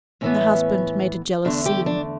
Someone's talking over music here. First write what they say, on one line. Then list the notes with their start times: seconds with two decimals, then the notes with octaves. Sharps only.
The husband made a jealous scene.
0.21 A2 E3 B3 C#4
1.45 E2 D3 A3 D4
1.66 G4
1.86 D4